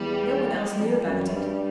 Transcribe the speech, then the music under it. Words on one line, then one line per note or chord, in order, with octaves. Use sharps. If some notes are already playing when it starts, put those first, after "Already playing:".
No one else knew about it.
Already playing: E2 G3
F2
F#2
F#2
G2